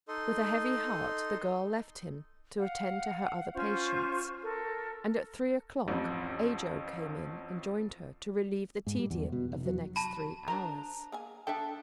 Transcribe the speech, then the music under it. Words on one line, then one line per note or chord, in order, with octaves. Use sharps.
With a heavy heart the girl left him to attend to her other patients and at three o'clock Ajo came in and joined her, to relieve the tedium of the next three hours.
D#4 A4 D#5 C6
F5 F#5
C#4 F4 C5 C#6
A4 A#4
A1 F2
G#2
G3
E2
B2
F1
F#3
F#4 A5 B5
D4 A#4 C5 A#5
A#3 G#4 G#5
D4 A4 E5 G5